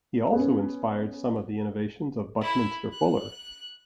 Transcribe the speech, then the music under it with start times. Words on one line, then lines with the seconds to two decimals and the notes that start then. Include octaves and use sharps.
He also inspired some of the innovations of Buckminster Fuller.
0.32 B3 C#4
2.41 E4
2.92 F#6